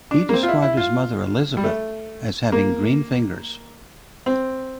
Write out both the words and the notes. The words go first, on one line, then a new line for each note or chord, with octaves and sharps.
He described his mother Elizabeth as having "green fingers".
D4
A#3
C4
F4
E4
E4
F4
G3
A3
A#3
C4